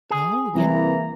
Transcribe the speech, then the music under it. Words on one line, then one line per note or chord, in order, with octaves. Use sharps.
Oh, yeah.
G#4
C2 E3 A#3 A#5